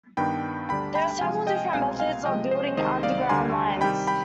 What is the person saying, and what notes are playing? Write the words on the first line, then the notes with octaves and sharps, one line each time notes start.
There are several different methods of building underground lines.
G2 D#3 B3 D4 G5 B5
D2 D3 G3 D4 G5 B5
G5 B5
C3 F3 G#3 F5 G#5
D#5 G5
C2 B2 G#3 C4 F5 G#5
F5 G#5
C3 F3 G#3 D#5 G5
C5
C2 C3 D#3 G#3 C5 D#5
D5 F5
D2 D3 G3 D4 G#5 C6
C3 D#3 G3 G5 B5
G5 B5